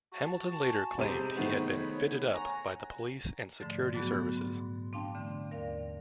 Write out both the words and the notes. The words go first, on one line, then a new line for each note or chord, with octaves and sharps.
Hamilton later claimed he had been "fitted up" by the police and security services.
F#4 A5
G#5
C3 G#3 D#4 C5 B5 D#7
D#3 A3 B3
C#5
C#5 F#5 G#5 A#5
G#2 D3 F3 A3 A6
A#2 F#3 A3 B3 F#4 G#4
G#2
C4 D4 F5 G5 A5
D3 E3 A3 C4
D#2 A#4 D5 F5